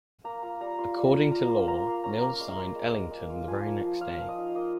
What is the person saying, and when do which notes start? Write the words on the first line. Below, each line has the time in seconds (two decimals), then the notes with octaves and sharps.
According to lore, Mills signed Ellington the very next day.
0.24 A#3 A#5
0.43 F4 A#5
0.61 G3 A#5
0.79 F4 C6
0.96 G3
1.14 F4
1.31 F4 A#5
1.50 A#3 C6
1.68 A#3 A#5
1.86 A#3 C6
2.04 C#4 A#5
2.22 A#3 A#5
2.40 G#3 C6
2.57 G#3 C6
2.75 G#3
2.93 G#3
3.11 G#3
3.30 F4
3.47 F3 G#5
3.65 A#3
3.84 F3
4.01 F3 F5
4.19 F3
4.29 D#5
4.38 D#4
4.55 A#3 D#5